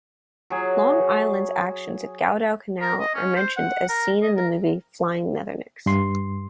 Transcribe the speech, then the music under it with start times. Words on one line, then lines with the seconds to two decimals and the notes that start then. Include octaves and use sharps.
"Long Island"s actions at Guadalcanal are mentioned and seen in the movie "Flying Leathernecks".
0.50 F#3 G#4
2.81 A#4
3.00 D#5
3.14 C#4
3.36 C5
3.57 F#5
3.89 A#4
4.22 D#5
4.37 A#4
5.86 G2 C6